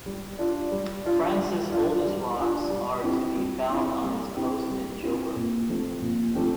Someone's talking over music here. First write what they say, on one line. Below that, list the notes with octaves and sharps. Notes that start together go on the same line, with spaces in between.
France's oldest rocks are to be found on its coast in Jobourg.
G3
D4 F4
G3
D4 F4
G3
D4 F4
G3
D4 F4
G3
C4 E4 G4
G3
C4 E4 G4
G3
C4 E4 G4
G3
C4 E4 G4
A#2
F3 A3 C4 G4
A#2
F3 A3 C4 G4